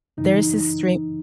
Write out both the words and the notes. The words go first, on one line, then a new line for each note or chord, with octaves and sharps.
there's this stream
F#2 C#3 E3 D#4